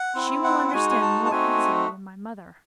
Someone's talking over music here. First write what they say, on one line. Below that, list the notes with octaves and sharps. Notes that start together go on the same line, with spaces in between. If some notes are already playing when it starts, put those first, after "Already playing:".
She will understand more easily than my mother.
Already playing: F#5
C4 E4
F#5
F#5
G#3 D#4 F#4 G#5
G#5
A5
A5
A3 C4 D#4 F#4 G#5